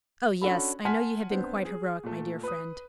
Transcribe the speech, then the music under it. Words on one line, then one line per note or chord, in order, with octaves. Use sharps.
"Oh! yes, I know you have been quite heroic, my dear friend."
C#4 D4 F#4 A4 B5
F#5 G#5 A5 C6 F6 B6
B3 C4 D4 C5
G#4
A#2 A3
B4 D#6